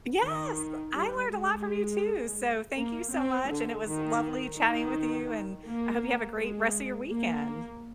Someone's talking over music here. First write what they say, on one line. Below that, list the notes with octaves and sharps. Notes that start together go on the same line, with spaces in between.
Yes, I learned a lot from you too, so, thank you so much, and it was lovely chatting with you, and I hope you have a great rest of your weekend.
D#3
G3
G#3
A#3
C4
D3
D#3
D#3
A#3
G#3
A#3